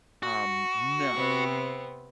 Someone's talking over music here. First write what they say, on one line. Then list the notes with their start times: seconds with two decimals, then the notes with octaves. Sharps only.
Um, no.
0.23 F#4
1.13 C3 B3 C4